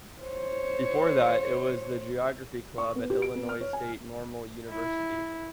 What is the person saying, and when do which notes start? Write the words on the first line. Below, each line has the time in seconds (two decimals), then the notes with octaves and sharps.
Before that it was the Geography Club at Illinois State Normal University.
0.23 C5 C#5
2.78 C#6
2.95 B3
3.10 G4
3.22 D7
3.35 B3
3.49 F6
3.61 C#5
3.73 G#5
4.70 E4